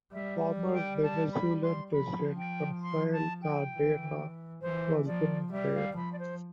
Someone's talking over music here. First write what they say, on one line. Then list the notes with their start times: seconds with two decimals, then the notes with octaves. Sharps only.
Former Venezuelan President Rafael Caldera was born there.
0.13 G3 E5
0.73 G5
1.03 A5
1.32 B5
1.63 C6
1.92 F3 B5
2.37 G5
2.82 C6
3.13 A5
3.42 G5
3.72 E3
4.61 E3 C5
5.06 F3 D5
5.51 G3 E5
5.74 F5
5.96 F3 B5
6.13 D5
6.19 C5